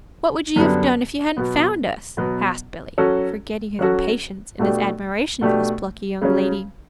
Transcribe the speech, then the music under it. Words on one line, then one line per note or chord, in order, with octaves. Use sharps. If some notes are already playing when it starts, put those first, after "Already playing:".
"What would you have done if you hadn't found us?" asked Billy, forgetting his impatience in his admiration for this plucky young lady.
F#2 D3 G3 B3
B2 F#3 B3
B2 F#3 B3
F#3 C#4 F#4 A4
F#3 C#4 F#4 A4
B2 A3 D4 G4
B2 A3 D4 G4
C#3 F#3 C#4